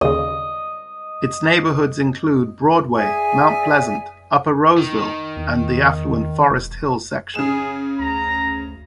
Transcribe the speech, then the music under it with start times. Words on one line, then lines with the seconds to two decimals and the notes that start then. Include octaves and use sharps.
Its neighborhoods include Broadway, Mount Pleasant, Upper Roseville and the affluent Forest Hill section.
0.01 D#2 C#3 D#5
2.96 G#4 D5 E5 G#5
4.78 D#3
5.37 E2
6.49 E1
7.35 C#3 G#4 E7
7.99 D2 A#5